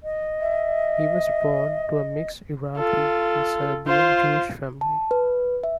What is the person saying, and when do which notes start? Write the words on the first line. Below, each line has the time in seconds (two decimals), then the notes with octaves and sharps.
He was born to a mixed Iraqi and Serbian Jewish family.
0.03 D#5
0.41 E5
2.77 F4 A4
3.87 F4 C5
4.81 A5
5.11 B4
5.64 E5